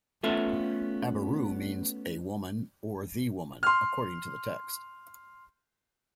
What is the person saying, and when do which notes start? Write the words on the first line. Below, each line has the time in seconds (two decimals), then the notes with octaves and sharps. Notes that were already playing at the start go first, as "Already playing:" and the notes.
"Aberu" means "a woman" or "the woman" according to the context.
0.24 A3 B3 C#4 F4 A4 E5
3.63 C6 F6